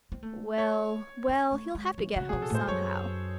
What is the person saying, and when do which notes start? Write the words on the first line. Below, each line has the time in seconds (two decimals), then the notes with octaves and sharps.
Well, well, he'll have to get home somehow.
0.12 C4
0.23 A3
0.58 C#5
1.28 C4
1.51 A3
1.75 G#3
1.98 E3
2.16 C#3 F#4
2.29 C3 G#4
2.42 A4
2.50 A2 C5
2.67 F#2 C#5